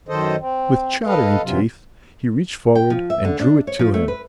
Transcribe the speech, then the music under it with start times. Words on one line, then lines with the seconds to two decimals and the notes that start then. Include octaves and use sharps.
With chattering teeth, he reached forward and drew it to him.
0.09 F#2 D#3 A4 C5 D#5
0.40 C4
1.06 A4 B4 D#5 F5
1.43 G2 C3 E3 F#3 F4
2.75 G5
2.90 F3
3.10 E5
3.25 D3
3.39 D4
3.67 C#5
3.79 F3
3.94 A3
4.08 B4